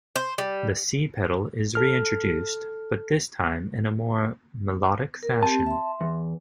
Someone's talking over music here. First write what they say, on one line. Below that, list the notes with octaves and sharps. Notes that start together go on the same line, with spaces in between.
The C pedal is reintroduced, but this time in a more melodic fashion.
C5
G3
A4 F6
A#4
C4 G4 A5
E5 C6
E2